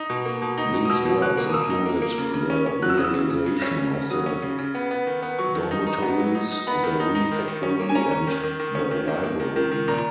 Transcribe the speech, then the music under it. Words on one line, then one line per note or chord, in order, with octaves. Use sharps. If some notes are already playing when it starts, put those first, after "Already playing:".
These works included the realization of the dormitories, the refectory and the library.
Already playing: D#4
B2
A#3
B2
D#4
B2
D#6
B2 E6
B2
B2 F#6
A#3
D#6
A#3 E6
D#4
A#3
A#3
C#3
C#3
C#4
C#4
F#3 F#6
E6
C#3 D#6
E6
C#3
C#3
C#3
C#4
C#3
C#3
F#3 D#6
C#4
C#3
C#3
B3
B3
D#3
B3
F#3 C#6
D#3
D#4
D#4
B3
F#3
D#4
D#4
B3 B5
D#3
D#4
D#4
D#3
D#3
C#4
A#3
G#5
C#4 A#5
C#4
D#3
D#3
D#3
C#4
D#3
D#3
A#3
D#3
D#3
D#3
A#2 A#5